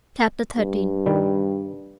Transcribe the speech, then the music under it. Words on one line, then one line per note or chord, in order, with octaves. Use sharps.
Chapter XIII.
G2
D#3 G3